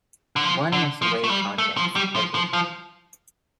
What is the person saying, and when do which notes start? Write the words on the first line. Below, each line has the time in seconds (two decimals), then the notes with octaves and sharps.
One must weigh context heavily.
0.36 D3
0.44 F3
0.72 D3
1.02 F3
1.24 A3
1.30 G3
1.58 A3
1.77 F3
1.96 G3
2.16 F3
2.35 F3
2.53 F3